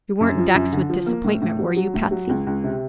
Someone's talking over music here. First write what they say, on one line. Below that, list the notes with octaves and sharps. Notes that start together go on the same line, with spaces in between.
"You weren't vexed with disappointment, were you, Patsy?"
F#2
F3
F#2
D3
F3
A#3
A2
A2
F#3
F#3
A2
F#3
C#2
C#2
C3